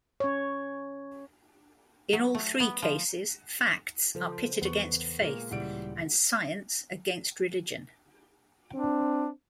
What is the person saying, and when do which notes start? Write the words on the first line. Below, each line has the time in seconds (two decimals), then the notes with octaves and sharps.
In all three cases, facts are pitted against faith and science against religion.
0.20 C#4 C#5
2.13 F#3
2.35 A3
2.60 B3
2.82 F3
4.15 C#3 F3 A4 C5
4.62 E2 B3 C#6
5.21 A#2 G#3 A#3 F4 G#4
5.51 D1 A#2 C#3 E3 G3 F#5 D7
8.75 C4 D4